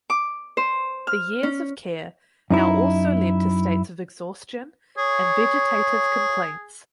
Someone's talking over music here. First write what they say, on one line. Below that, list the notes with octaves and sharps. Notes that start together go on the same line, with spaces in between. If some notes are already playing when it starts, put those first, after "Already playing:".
The years of care now also led to states of exhaustion and vegetative complaints.
D6
C5
F6
C#4
F#2 D#4 E4
G#4 C#5